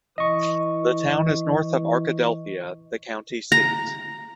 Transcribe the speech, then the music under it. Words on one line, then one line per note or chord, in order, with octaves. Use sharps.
The town is north of Arkadelphia, the county seat.
E3 D#5 C#6
A#5